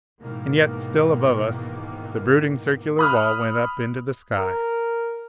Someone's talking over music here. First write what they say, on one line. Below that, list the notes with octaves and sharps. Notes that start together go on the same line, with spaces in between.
And yet still above us the brooding circular wall went up into the sky.
G#2 B2 D#3 E3 A#3
B5 D#6 F6
A#4